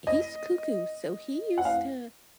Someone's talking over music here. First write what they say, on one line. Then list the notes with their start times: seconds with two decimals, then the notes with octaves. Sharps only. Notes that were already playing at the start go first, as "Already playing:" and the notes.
He's cuckoo. So he used to
0.07 D#5
1.58 F#5
1.65 F5